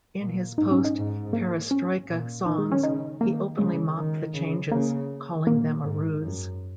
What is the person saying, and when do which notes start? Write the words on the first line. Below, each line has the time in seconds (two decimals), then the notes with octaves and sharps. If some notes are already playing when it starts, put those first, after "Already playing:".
In his post-Perestroika songs, he openly mocked the changes, calling them a ruse.
0.21 A#2
0.58 G#2 D#4
0.71 C#4
0.84 D#4
0.95 G#2
1.33 A#3
1.71 C#4
2.09 A#2
2.45 D#3 D#4
2.58 G#3
2.72 C#4
2.83 C#3 D#4
3.21 D#3 A#3
3.59 C#3 G#3
3.96 D#3
4.34 C#3
4.71 C#3 A#3
5.47 A#2 A#3
5.84 G#2
6.23 F#2